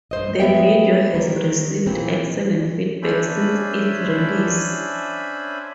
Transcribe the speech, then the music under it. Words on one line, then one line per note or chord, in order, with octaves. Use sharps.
The video has received excellent feedback since its release.
G2 C5 D#5
G#3 B3 E5 G5
D#3 G3
A#2 E3 C4
C#4 D4 C5 E5 G#5 B5